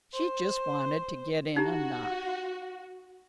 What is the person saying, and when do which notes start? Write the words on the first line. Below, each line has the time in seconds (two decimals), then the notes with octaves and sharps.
She just wanted to get in a knock.
0.14 C5
1.56 D#4 F#4 G4 A#5